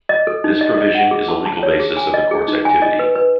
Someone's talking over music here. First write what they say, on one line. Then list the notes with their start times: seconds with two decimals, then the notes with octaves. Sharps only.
This Provision is a legal basis of the Court's activity.
0.09 D#5
0.27 A4
0.44 D#4
0.61 D#5
0.78 D#5
0.95 F#5
1.11 G#4
1.29 A5
1.46 A5
1.63 C#5
1.80 G#4
1.97 G#5
2.14 D#5
2.31 G#4
2.48 D#4
2.65 G#5
2.82 D#5
2.99 B4
3.15 B4